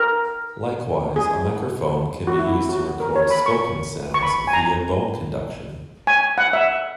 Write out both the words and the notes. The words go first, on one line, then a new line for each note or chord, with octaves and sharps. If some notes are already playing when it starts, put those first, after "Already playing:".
Likewise, a microphone can be used to record spoken sounds via bone conduction.
Already playing: A#4
G#4
F#4
E4
F#4
A#4
C#5
B5
C#6
C#6
B5
G#5
A#5
G#5
F#5
E5